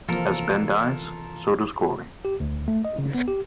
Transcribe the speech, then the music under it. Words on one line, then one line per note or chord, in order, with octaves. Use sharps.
As Ben dies, so does Glory.
C3 E3 F3 A#3 F4 A4 A#4 A5
G4
D2
A3
D#5
C#3
B3
G4